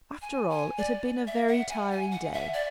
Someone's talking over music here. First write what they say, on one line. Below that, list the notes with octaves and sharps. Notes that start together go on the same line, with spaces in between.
After all, it had been a very tiring day.
G#5
G#5
D5
E5
F#5
G#5
G#5
F#5
E5
D5